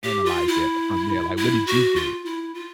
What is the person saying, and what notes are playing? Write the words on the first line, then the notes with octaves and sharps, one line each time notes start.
analyze it from there, like, 'What did you get?'"
G4
F4
E4
E4
F#4
F4
E4
F4